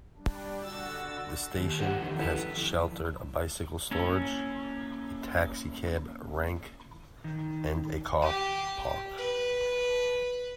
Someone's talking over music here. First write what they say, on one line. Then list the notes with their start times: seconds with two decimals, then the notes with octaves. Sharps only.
The station has sheltered bicycle storage, a taxicab rank, and a car park.
0.17 G3 D4
0.62 D3 F#4 E6 A6
1.58 D#2
1.79 G4 A#4 C5 F5 F#5
2.01 F2 D3 D#3
2.19 E4 A4 B4
2.57 F2
3.91 A#3 C#4 E4 A4
7.24 D#3
8.22 G4
9.18 B4